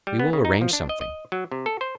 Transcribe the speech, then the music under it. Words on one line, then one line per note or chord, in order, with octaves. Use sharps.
We will arrange something.
G3
B3
C#3
D#4
F3
D4
D#5
D#5
F#3
C3
A4
C5